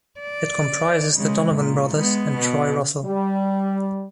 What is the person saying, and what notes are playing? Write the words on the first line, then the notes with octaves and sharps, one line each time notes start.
It comprises the Donovan brothers and Troy Russell.
D5
C#3 G#3
A#2
G#3 B3
B2
G3